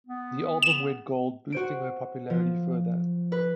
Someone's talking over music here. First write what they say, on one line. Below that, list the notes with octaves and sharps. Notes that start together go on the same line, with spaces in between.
The album went gold, boosting her popularity further.
B3
E7
F#4 C5 D7
F3
B4